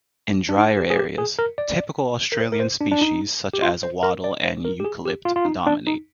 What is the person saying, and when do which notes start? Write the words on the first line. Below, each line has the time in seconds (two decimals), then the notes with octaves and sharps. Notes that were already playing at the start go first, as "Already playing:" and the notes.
In the drier areas, typical Australian species such as wattle and eucalypt dominate.
0.49 D4
0.57 D#4
0.77 G4
0.90 G#4
0.97 G4
1.18 G#4
1.39 A#4
1.58 D5
2.32 A#4
2.40 C5
2.52 A#4
2.60 C5
2.81 D4
2.91 D4
3.01 D#4
3.53 G4
3.62 F4
3.83 C5
4.03 A#4
4.24 D5
4.44 C5
4.65 A#4
4.80 G4
4.85 G#4
5.05 G4
5.25 F4
5.36 F4
5.45 D#4
5.67 D4
5.87 D#4